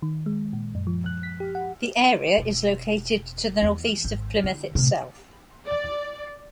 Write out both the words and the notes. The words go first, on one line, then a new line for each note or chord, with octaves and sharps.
The area is located to the north east of Plymouth itself.
D#3
G#3
A#2
F#2
F3
F#6
B6
G4
F#5
E1
E2
G#1
D3
A2 C3
D5